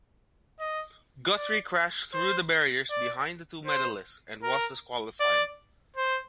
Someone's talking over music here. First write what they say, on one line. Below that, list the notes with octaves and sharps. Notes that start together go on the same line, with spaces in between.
Guthrie crashed through the barriers behind the two medalists and was disqualified.
D#5
D5
C5
D5
C5
A#4
D5
C5